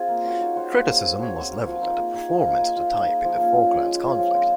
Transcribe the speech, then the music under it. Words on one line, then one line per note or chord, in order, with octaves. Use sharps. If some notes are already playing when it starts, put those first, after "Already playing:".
Criticism was levelled at the performance of the type in the Falklands conflict.
Already playing: C4 F4 G#4 D#5
A#3
C#4 F#4
D#4
F#4 C5 F5
A#3
C#4 G#4 C5
C4
F#4 C#5
C4
F#4 A#4
F3
C4 D#4 A#4
A#3
D#4 G#4
F3
A#3 D#4 A#4
A#3
F4 C5 D#5
D#4
G#4 D#5
F3
A#3 C#4
C#4
G#4 D#5
G#3
C#4 F4
F3
G#3 C4